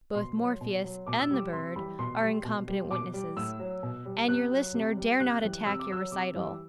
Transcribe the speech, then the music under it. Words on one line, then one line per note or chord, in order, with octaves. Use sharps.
Both Morpheus and the bird are incompetent witnesses; and your listener dare not attack your recital.
B2 C6
F#3
B2
F#3
B2 D6
E6
G3 D6
C3 C6
E3 G3 B5
B2 C6
G3
B2
G3
B2 D6
G3
A2 E6
F#3
B2
G3
C3 F#6
F#3
C3
G3
C3 F#6
E3 G3
C3 E6
D6
F#3 E6
C3 D6
E3 G3